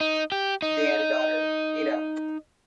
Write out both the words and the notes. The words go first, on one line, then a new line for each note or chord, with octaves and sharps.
They had a daughter: Itta.
D#4
G4
D#4